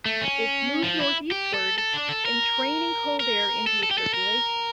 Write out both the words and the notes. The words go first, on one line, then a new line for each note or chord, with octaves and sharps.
It moved northeastward, entraining cold air into its circulation.
A3
C#4
F3
E4
G4
A4
A4
D4
A4
A#4
A#4
A4
A4
G4
A4
A#4